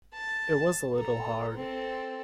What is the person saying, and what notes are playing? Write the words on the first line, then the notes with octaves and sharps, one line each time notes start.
It was a little hard.
A5
A4 A#5
C4 A4